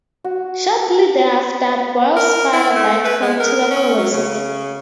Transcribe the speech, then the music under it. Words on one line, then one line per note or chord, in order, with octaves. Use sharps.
Shortly thereafter, Boyle's father died from tuberculosis.
F#4
A#4
E4
A3
B4
G#3
A#4
C#4
F#3
C#3